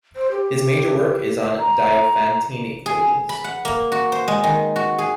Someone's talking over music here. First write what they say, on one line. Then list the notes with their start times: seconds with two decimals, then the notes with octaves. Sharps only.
His major work is on Diophantine equations.
0.16 C5
0.32 G4
1.59 A#5
2.86 G#4
3.29 B5
3.44 F#5
3.65 A#3
3.92 F#4
4.12 C5
4.28 G#3
4.44 D#3
4.76 F#4
4.98 G#4